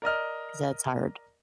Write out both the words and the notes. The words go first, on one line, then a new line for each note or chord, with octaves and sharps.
‘cause that's hard.
A#4 D5 D#5 F6